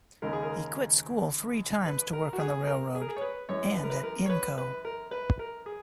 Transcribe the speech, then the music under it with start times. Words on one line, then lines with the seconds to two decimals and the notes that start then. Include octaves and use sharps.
He quit school three times to work on the railroad, and at Inco.
0.22 D#2 C#3 G#3 A#4
0.33 G#4
0.43 A#4
1.86 B4
2.13 A#4
2.33 F#4
2.40 G#4
2.67 A#4
2.95 G#4
3.01 A#4
3.09 G#4
3.17 C#5
3.21 B4
3.48 F#2 E3 G#3 C#5
3.75 B4
3.84 A#4
3.90 B4
4.03 A#4
4.26 C#5
4.30 B4
4.58 B4
4.85 A#4
5.11 B4
5.39 A#4
5.66 G#4